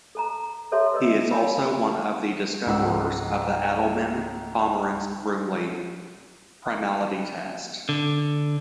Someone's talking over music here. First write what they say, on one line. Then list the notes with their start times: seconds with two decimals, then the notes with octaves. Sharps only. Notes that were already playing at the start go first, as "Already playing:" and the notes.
He is also one of the discoverers of the Adleman-Pomerance-Rumely primality test.
0.15 A4 A5 A#5
0.72 G4 A4 C#5 E5 A5 C6
0.93 B4 D#5 E6
1.31 C#5 G#5 B5
2.66 C#2 G#2 F#5 E6
7.89 D3